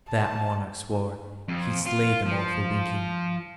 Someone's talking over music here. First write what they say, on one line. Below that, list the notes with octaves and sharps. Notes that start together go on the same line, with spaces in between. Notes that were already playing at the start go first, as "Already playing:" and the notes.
That monarch swore He'd slay them all for winking.
A5
F2
F4
F3